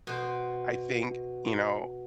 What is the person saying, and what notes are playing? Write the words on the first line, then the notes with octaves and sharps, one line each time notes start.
I think, you know,
B2 C5